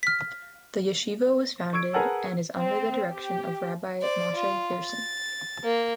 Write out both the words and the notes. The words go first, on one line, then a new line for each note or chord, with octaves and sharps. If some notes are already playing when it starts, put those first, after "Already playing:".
The Yeshiva was founded and is under the direction of Rabbi Moshe Herson.
F6 B6
C#6 E6 G#6 D7
G#4 A#4 B4 F#5 A5 E6
C4
G4
C5 D5
F4
A6
A#3